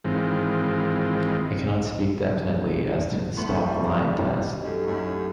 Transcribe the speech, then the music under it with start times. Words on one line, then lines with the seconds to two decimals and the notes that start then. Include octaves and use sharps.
I cannot speak definitely as to the stopped-line test.
0.04 G#2 D#3 E3 G#3 C4 F4
3.37 A2 B3 E5 A5 C6 C#6 F#7
3.65 G3
4.46 F#4 G4 D#5
4.64 F#2 D#4 G4 A4
4.87 F#2 A2 C#4